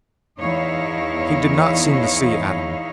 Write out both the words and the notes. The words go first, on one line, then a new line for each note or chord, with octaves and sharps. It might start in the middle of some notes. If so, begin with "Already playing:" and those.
He did not seem to see Adam.
E2 D#4 E4 C#5 D#5 F5